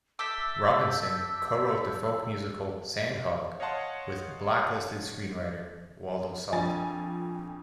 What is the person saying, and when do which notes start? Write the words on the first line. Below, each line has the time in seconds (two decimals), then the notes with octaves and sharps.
Robinson co-wrote the folk musical "Sandhog" with blacklisted screenwriter Waldo Salt.
0.19 A4 E5 D6 E6 G6 B6
3.60 C#5 D#5 F5 F#5 A5 C6
6.52 A#1 F2 G#5 A6